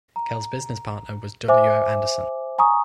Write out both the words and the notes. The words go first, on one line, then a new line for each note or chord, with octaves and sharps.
Kell's business partner was W. O. Anderson.
A#5
C5 E5 G#5 D6
G#5 A#5 C#6 D#6